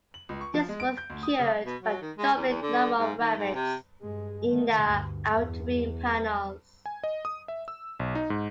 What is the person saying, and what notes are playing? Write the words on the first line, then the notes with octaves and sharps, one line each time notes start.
This was cured by doubling the number of rivets in the outer wing panels.
F#7
C#2
C#6
F3
G#3
D7
G6
D2
D#6
C#3
B2
F#3
D#3
G#3
E2
E2
D3
G#2
D#3
G#2
C3
G2 G#3
D#3 A3
D2 G2
E2
G#5
D#5
D#6
E5
E6
B1
D#4
G#2